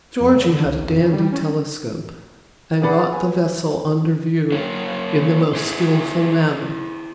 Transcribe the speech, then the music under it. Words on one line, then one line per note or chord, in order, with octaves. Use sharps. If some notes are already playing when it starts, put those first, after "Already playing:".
Georgy had a dandy telescope and got the vessel under view in the most skilful manner.
F2
C#3
D3
C#2
G#1
F2
C#3
G3
C#4
B3 G#4 B4 D5 F#5 B5
B4 G#5
F#3 A#3 C#4
E4 G#4 C5